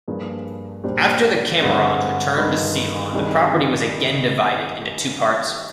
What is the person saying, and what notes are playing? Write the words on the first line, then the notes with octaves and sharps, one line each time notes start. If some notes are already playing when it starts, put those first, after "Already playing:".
After the Camerons returned to Ceylon the property was again divided into two parts.
G2 F3 A#3 D4 G#4
A#2 G3 D4 G4 C5
G2 D3 G#3 C4
G2 D#3 G#3
C3 D#3 G3 D4 G#4